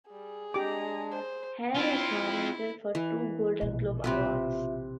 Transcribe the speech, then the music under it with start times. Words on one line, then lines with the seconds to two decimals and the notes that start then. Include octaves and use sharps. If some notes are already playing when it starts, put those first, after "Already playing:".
"Hair" was nominated for two Golden Globe Awards.
0.11 G3 G#4
0.54 G#3 D4 G4 A#5 D6
1.11 C5
1.75 C4 E4 F4
2.95 E3
3.61 A#1 B2
4.04 C3 C4 F4 B4 E5